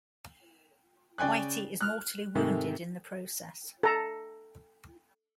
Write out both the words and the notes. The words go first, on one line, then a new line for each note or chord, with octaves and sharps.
Whitey is mortally wounded in the process.
C#3 D5 G5 G#5 F#6
F6 F#6
G#2 C3 D#3 A3
A4 A#5